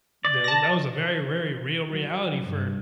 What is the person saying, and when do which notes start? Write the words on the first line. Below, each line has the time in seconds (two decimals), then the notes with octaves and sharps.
Tha that was a very, very real reality for
0.25 D5
0.44 A5 A#6
1.88 F#3
2.47 G2